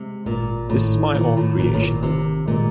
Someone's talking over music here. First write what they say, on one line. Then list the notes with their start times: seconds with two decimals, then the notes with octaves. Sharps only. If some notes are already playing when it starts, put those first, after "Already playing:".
This is my own creation.
Already playing: C3 G#3
0.26 G#1 A#2
0.70 A2 D#3
1.15 A#2 D#3
1.37 A2
1.59 G#1 A#2
1.74 A2
1.82 A#2
2.03 C3 D#3
2.47 A#2 G#3